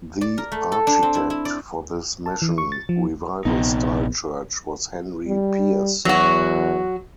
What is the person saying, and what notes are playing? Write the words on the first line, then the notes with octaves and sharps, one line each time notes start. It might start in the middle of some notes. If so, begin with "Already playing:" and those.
The architect for this Mission Revival-style church was Henry Pierce.
D5
A#4
A3
A4
D4
C4
E4
E4
D5
A5
E3
C#6
A6
F3
A#1 C3 B3 D#4
G3
E2 F#3 F#4